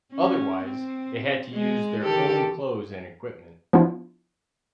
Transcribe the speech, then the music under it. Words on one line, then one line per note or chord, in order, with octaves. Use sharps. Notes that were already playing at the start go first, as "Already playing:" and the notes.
Otherwise, they had to use their own clothes and equipment.
C#4
C4
G#3
D#3 G4 A4
F3 B3 D4 E4 F4